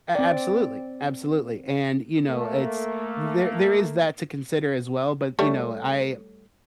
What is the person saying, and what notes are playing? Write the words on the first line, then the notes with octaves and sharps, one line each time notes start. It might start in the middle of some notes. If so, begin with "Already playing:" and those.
A absolutely, absolutely, and, you know, it's there there is that to consider as well, but, you know, I
C4 D5
A3 A#3
G3 A3 C#5